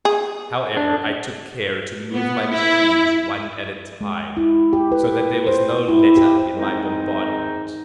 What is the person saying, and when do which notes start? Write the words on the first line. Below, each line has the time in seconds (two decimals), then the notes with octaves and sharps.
However, I took care to move my machines, one at a time, so that there was no let-up in my bombardment.
0.05 G#4
0.77 D4
2.14 B3
2.54 E4
4.01 G#3
4.37 E4
4.73 G4
4.92 B4
5.47 C5
5.89 E4
6.17 G4
6.55 G#2 D#3 G#3 C4 D#4